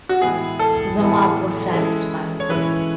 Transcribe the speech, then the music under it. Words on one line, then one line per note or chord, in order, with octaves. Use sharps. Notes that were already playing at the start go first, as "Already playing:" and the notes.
The mob was satisfied.
F#4
A2 E3 G#3 B3 E4 G#4
A4
A2 E3 G#3 B3 E4
E3 G#3 C#4 E4
C#5
E3 G#3 C#4 E4 B4